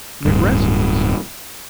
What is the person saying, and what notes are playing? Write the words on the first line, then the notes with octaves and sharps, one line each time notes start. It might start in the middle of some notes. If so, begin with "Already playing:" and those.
Repressively so.
D1 G2